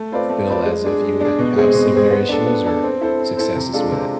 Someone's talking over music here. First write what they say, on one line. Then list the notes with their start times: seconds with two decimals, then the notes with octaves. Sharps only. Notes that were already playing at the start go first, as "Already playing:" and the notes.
f feel as if you would have similar issues or successes with it.
Already playing: A3
0.12 C4 F4 B4 D5
0.29 A3
0.47 C4 F4 B4 D5
0.65 G#3
0.84 D4 G#4
1.02 G#3
1.20 D4 G#4
1.39 B2
1.56 G#3 C4 G#4
1.74 B2
1.92 G#3 C4 G#4
2.11 B3
2.29 D4 A4
2.46 B3
2.65 D4 A4
2.83 C4
3.01 E4 A4 C5
3.19 C4
3.37 E4 A4 C5
3.55 C3
3.73 G#3 D4 F4 A4
3.92 C3